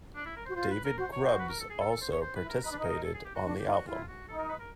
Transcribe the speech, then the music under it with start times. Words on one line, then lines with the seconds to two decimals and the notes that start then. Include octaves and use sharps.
David Grubbs also participated on the album.
0.16 D4
0.26 E4
0.36 A#4
0.46 C5
0.49 F#4
0.56 F4 C5
0.71 B4
0.84 A#4
0.97 F#4 C5
1.12 C#5
1.18 F#4
1.25 C5
1.39 B4
1.49 A#4
1.60 A4
1.70 G#4
1.80 A4
1.91 A4
2.01 C5
2.12 C#5
2.22 C5
2.36 B4
2.43 E4
2.49 A#4
2.63 D#4 B4
2.71 D4
2.79 D#4
2.84 A#4
3.04 A4
3.14 G#4
3.25 G4
3.35 F#4
3.46 D4 F#4
3.59 G4
3.66 D#4 F4
3.73 F#4
3.87 E4 F4
4.08 F#4
4.28 D#4 A4
4.39 A#4
4.49 B4
4.59 A#4